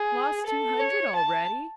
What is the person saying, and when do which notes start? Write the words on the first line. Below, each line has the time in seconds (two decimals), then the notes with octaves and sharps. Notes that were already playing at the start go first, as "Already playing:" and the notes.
Lost two hundred already?
Already playing: G#4
0.46 A4
0.80 C#5
1.16 A5